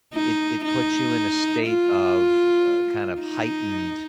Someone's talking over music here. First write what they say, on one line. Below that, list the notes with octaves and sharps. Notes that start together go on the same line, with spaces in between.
it it puts you in a state of, uh, kind of heightened
D#4
D#4
F4
D#4